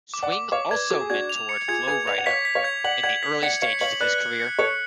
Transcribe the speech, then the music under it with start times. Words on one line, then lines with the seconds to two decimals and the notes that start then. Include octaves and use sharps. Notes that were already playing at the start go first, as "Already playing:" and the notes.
Swing also mentored Flo Rida in the early stages of his career.
0.14 D6
0.23 D5 F#5
0.32 D6
0.52 C#5 F5 D6
0.71 B4 D5 G#6
0.90 F#4 A4 D6
1.00 G#4
1.10 D4 F#4 G#6
1.29 F7
1.49 C#7
1.68 F4 G#4 G#6
1.87 G#4 B4 G#6
2.07 B4 D5 F7
2.18 F#5
2.26 C#5 F5 B6
2.45 B6
2.55 C#5 F5
2.64 G#6
2.84 D5 F#5 F#7
3.03 D5 F#5 G#6
3.23 B6
3.42 D5 F#5 C#7
3.62 C#5 F5 C#7
3.81 C#5 F5 F#7
4.00 B4 D5 F#6
4.20 C#7
4.40 C#7
4.59 A4 C#5 C#7